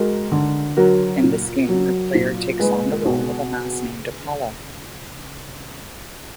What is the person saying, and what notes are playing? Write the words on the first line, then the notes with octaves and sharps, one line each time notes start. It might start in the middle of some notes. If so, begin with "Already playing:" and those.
In this game, the player takes on the role of a mouse named Apollo.
Already playing: G#3 F#4 A#4
D3
F#3 F#4 A#4
A#2
F#3
A#2
G#3 G#4 B4
B2